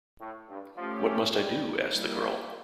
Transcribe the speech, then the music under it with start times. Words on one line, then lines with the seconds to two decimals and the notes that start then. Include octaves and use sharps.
What must I do? asked the girl.
0.21 A2
0.49 G2
0.77 F3 A3 C#4 G4
1.34 G3
1.91 G3 A#3 E4